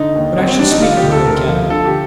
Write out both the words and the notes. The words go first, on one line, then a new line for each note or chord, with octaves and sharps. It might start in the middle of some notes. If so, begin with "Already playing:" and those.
But I shall speak of her again.
Already playing: D3 D#4
D#2
D#2 C4
C4
G3 D4
D#4
D3 F4
G4
D2
A4
D2 A#4
F3
D3 A4
G4